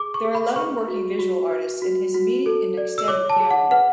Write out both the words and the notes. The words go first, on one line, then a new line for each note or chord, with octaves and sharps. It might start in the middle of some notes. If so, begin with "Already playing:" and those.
There are eleven working visual artists in his immediate and extended family.
Already playing: G#4 D6
C#6
G#4
B5
B4 C#6
F#4
F#4
B4
F#4
F#4
A4
D5
E6
C#5 D6
A5
G#4
F#5
B4 F#5